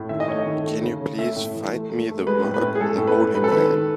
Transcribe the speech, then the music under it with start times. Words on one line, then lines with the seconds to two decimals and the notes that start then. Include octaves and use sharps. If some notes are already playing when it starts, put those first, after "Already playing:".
Can you please find me the work, The Holy Man?
Already playing: A2
0.09 D#3 E5
0.20 D#5
0.28 A3 C#5
0.39 D#5
0.46 D#3
0.64 A3
0.83 C#3
1.00 C#3
1.18 A3 E5
1.36 A2
1.54 E3
1.73 A3
1.90 A3
2.09 A3
2.27 G#3 B4
2.44 A2
2.54 B4
2.63 A2
2.75 G#4
2.80 G#3 A4
2.98 A2
3.07 B4
3.16 A2
3.34 G#3 B4
3.44 A4
3.52 D#3 B4
3.70 D#3